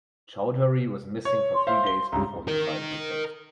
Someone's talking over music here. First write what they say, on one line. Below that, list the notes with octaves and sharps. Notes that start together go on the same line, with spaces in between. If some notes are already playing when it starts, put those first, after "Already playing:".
Chowdhury was missing for three days before he filed the case.
C#5
C6
C5 E5 F5 C6
G7
C#2 G2 A#5
A#4 D#5